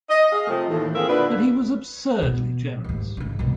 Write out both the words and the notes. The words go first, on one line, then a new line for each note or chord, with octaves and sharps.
But he was absurdly generous.
D#5
G#4 D#5 F5
C3 F3 A3
D#2 A2 E3
A#3 C4 F4 G#4 A#4 E5
A#2 D3 D4 B4
B2
D#2 G#2
G#2 C#3
C2 B2